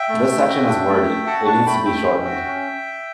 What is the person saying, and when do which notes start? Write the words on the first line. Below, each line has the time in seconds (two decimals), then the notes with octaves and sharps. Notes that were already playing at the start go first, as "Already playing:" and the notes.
This section is wordy, it needs to be shortened.
Already playing: E5 G5
0.08 A3
0.28 A3
0.48 F#4
0.68 D4
0.87 A3
1.07 A3
1.26 F#4 F#5 A5
1.46 D4 A5 C#6
1.66 A3 G5 B5
1.85 A3 E5 G5
2.06 C#4
2.25 F#4
2.45 C#4